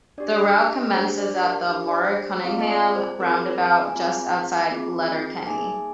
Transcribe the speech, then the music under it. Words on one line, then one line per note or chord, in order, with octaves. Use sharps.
The route commences at the Manorcunningham Roundabout just outside Letterkenny.
D4 G4 D5
D#5
D4 G4 C5
D5
A#4
D4 G4 C5
D5
C5
C4 F4 G#4 F5
D#5
D5
C5
C4 F4 G#4 A#4
C5
A#5
G#5
C4 F4 G#4 A#5
C4 F4 G#4
A#3 D#4 G#4 G#5